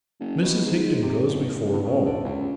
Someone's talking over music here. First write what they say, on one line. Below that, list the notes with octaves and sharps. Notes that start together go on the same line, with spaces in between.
Mrs Higden goes before all.
F#1
B2
G#2
C3
B1
A1
E2
C#3
D3
C#2